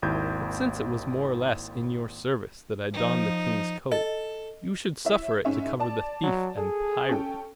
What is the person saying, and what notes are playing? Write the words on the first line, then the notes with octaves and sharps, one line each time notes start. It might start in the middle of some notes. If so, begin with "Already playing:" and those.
"But since it was more or less in your service that I donned the King's coat, you should suffer it to cover the thief and pirate."
G#1 D#2 A#3 E4 G6 G#6
F3 D#4
A4 D#5
E4 C#5 E5
G#2 C#4 E5
D5 A5
F#3
G#4 A4
C#4 A4 G5